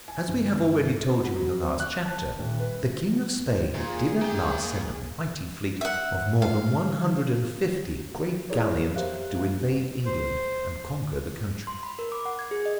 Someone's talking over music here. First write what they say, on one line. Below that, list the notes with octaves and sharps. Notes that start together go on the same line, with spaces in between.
As we have already told you in the last chapter, the King of Spain did at last send a mighty fleet of more than one hundred and fifty great galleons to invade England and conquer the country.
G#5
G1
G2
C4
F#4
F#3
C4
F#6
A5
D#1
B4
A#2 G#4
A#3 G5
E5 F#5
F5
E4 G#4 A#4 C#5 D5
G4 A#4 C5 E5 F5 F#6
C5
C6
B5
A#4
D6
F#5
G#6
G#4
D#5